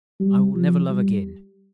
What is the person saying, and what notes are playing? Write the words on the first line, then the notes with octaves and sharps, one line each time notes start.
I will never love again.
G3
F3
G3